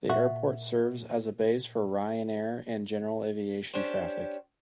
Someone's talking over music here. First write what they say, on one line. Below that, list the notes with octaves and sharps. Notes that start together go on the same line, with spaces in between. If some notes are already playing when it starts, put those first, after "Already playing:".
The airport serves as a base for Ryanair and general aviation traffic.
A#2 F#4 E5
C#4 D4 G4 C5